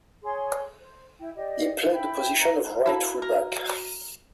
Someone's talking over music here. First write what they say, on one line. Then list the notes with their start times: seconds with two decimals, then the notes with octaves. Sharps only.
He played the position of right full back.
0.23 G#4 C#5 C6
0.81 C5
1.20 E4 G5
1.36 G4 D5 D#5
1.92 E4 G5 B5
2.39 A#5
2.86 A#3 E4 F#4 A4 A5 B5
3.22 A#4